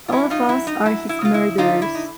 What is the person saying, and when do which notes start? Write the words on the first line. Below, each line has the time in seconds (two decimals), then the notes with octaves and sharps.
All of us are his murderers...
0.08 F4
0.12 F#3 E4
0.30 D#4 F4
0.49 F#3 E4
0.67 D#4
0.86 F#3 E4
1.09 E4
1.21 C#3 F4
1.34 E4
1.58 D3 D#4 F4
1.82 E4
1.95 D#4